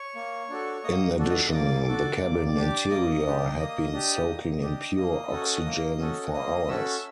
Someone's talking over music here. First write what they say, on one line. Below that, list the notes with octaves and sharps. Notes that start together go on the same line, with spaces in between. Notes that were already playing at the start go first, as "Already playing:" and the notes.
In addition, the cabin interior had been soaking in pure oxygen for hours.
Already playing: C#5 C#6
A#3
D4 F#4 A4
A#3 D#5 D#6
D4 F#4 A4
D#5 D#6
A#3 D5 D6
D4 F#4 A4
A#3
D4 G4
A#3 D#5 D#6
D4 G4
A#3 D#5 D#6
D4 G4
A#3
D4 G4
A#3 D#5 D#6
C#4 F#4 A4
A#3
C#4 F#4 A4
A#3 D#5 D#6
C#4 F#4 A4 E5 E6